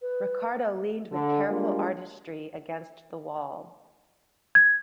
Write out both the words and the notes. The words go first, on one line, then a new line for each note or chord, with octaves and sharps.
Ricardo leaned with careful artistry against the wall.
B4
D3
G3 G#3 A#3 D4 F4
G#6